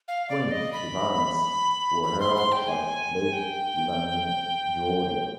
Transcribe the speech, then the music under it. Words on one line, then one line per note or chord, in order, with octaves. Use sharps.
Sprint events were held at Lake Lanier, Georgia.
F5
D5
D#5
B5
B5
C6
C6
G5
G#5
G5